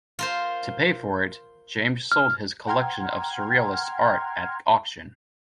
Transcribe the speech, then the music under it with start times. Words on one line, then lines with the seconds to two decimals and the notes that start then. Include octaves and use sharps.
To pay for it, James sold his collection of Surrealist art at auction.
0.19 F4 A#4 C5
2.12 F6
2.67 F#5 G5 A#5 C6 F6 G#6